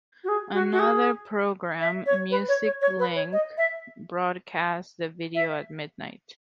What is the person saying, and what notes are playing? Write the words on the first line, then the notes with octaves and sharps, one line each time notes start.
Another program, "Music Link", broadcast the video at midnight.
F#4
G#4
F#4
F#4
G#4
E5
C#5
B4
C#5
C#5
C#5
B4
C#5
D#5
E5
E5